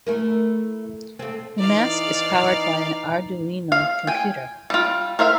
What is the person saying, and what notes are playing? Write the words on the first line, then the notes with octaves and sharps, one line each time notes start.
The mask is powered by an Arduino computer.
A3 E4 A#4
A3 C4
E3 D#4 D5 F5
F5
G5 G#5
G3 F4
A#4 C5 E5 F5